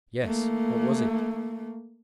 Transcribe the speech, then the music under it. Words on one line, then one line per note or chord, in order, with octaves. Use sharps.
"Yes, what was it?"
A3 A#3